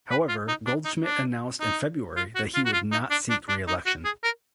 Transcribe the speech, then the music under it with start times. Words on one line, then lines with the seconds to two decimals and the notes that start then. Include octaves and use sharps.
However, Goldschmidt announced in February that he would not seek re-election.
0.10 B4
0.29 F4
0.48 D#4
0.66 D4
0.85 D#4
1.04 D4
1.60 D#4
2.17 F4
2.35 F#4
2.55 F4
2.65 F#4
2.73 F4
2.91 D#4
3.11 D4
3.30 D4
3.48 D4
3.67 D#4
3.86 F#4
4.04 G#4
4.24 A#4